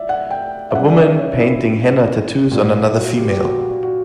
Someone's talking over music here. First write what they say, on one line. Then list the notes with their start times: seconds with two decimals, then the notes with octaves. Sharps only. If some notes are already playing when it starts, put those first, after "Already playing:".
A woman painting henna tattoos on another female.
Already playing: D5 E5
0.09 F#5
0.30 G5
0.71 E5
0.75 C#3 F#5
0.78 G3
0.92 D5
0.97 E5
1.19 C#5
1.36 E4
1.41 D4
2.52 A#2 G3
2.96 F#4
3.18 G4
3.28 G4
3.39 F#4
3.61 F#4
3.83 F#4